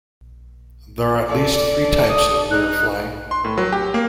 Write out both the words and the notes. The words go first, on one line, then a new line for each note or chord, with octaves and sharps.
There are at least three types of lure-flying.
A4 D5
D#6
D#4 F#6
C6
A2
F#3
G4
A#3